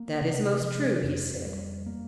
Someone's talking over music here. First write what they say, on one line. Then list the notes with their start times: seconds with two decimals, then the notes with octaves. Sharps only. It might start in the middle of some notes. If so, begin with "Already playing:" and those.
That is most true, he said.
Already playing: A#3
0.21 C3
0.62 F3
1.04 F2
1.46 G3
1.86 A#3